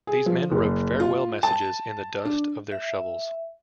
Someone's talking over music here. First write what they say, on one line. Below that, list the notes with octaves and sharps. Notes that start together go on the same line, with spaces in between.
These men wrote farewell messages in the dust of their shovels.
G#4
F3
F#1
F4
A5
D4
E5